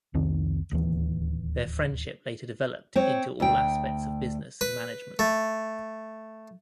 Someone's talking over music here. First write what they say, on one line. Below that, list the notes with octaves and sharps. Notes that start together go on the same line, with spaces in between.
Their friendship later developed into all aspects of business and management.
C2 F2 D#3 C4
D1 D#2 E3
C4 C#5
D2 G5
B4
A3